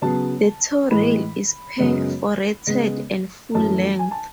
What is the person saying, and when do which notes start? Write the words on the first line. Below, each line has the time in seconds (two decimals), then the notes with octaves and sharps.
The toe rail is perforated and full length.
0.02 C#3 F#3 B3 A5
0.90 A2 E3 G#3 B5
1.79 F#2 C#3 G#3 B3
2.67 C#3 G#3 B3
3.55 F#2 E3 A3 A5
3.99 G#5
4.11 A5